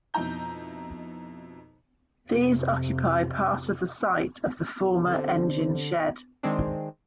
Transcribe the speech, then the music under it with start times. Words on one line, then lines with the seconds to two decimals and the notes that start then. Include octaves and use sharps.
These occupy part of the site of the former engine shed.
0.14 F2 B2 D#4 E4 A#5 G6
2.29 F2 C3
5.07 D3 C4 G4 C5
6.43 D#3 G#3 C4 D4